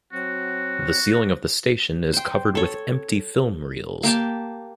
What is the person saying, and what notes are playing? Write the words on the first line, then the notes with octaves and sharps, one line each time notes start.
The ceiling of the station is covered with empty film reels.
F#3 C4 F#4
C5 G5
A4 C#5
A#3 G4 A5